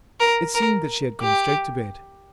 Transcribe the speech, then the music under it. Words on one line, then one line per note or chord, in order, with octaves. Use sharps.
It seemed that she had gone straight to bed.
A#4
A#4
G4